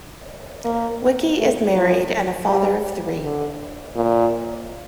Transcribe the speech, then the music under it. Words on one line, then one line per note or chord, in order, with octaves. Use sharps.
Wicki is married and a father of three.
A#3
A3
F3
G3
D3
A#2